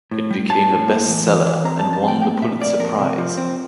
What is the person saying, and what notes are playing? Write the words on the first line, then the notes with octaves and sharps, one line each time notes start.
It became a best-seller and won the Pulitzer Prize.
A2
G3
A2 A5
A2
A#3
E2
E3
E3
C4 A#5
A5
F3
A5
C4
G5
A#3 G5
A#2 E5
A#3 D5
F2 A#4
C3
F3
C4